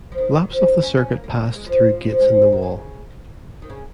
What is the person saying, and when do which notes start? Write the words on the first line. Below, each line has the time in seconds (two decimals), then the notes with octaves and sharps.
Laps of the circuit passed through gates in the wall.
0.12 F3
0.18 D#3
0.34 D#3
0.50 F3
0.61 C#4
0.66 D#4
0.82 C#4
0.97 C#4
1.13 A#3
1.24 A#3
1.35 A#3
1.45 A#3
1.56 G#3
1.66 F3
2.09 F3
2.19 G#3
2.26 F3
2.42 C#3
2.52 A#2
2.62 C#3
3.62 D#3
3.70 C#3